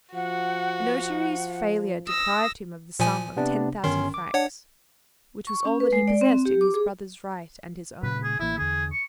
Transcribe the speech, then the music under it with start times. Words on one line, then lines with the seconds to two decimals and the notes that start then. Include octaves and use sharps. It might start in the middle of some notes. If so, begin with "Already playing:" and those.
A notary's failure deprived him of the sum of ten thousand francs, which was all that he possessed in his brother's right and his own.
0.15 F3 F#4 F#5
2.08 D#6 E6 A#6
3.00 A#2 F3 G#5
3.36 C3 B3 D4
3.84 G1 D#3 C#4 C6
4.14 D6
4.34 D4 C#5 F#5
5.47 C#6
5.65 C#4
5.80 B4
5.93 G#3
6.08 D5
6.21 C4
6.45 G4
6.61 D6
6.74 G#4
8.03 A#2 C#3 B4
8.23 G#4
8.40 A1 E3 A#3 E4
8.58 E2 D3 G#4
8.92 C#6